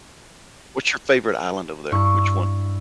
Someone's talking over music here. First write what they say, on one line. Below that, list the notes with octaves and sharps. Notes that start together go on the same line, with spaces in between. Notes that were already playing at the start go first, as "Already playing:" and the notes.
What's your favorite island over there? Which one?
G2 E4 C#6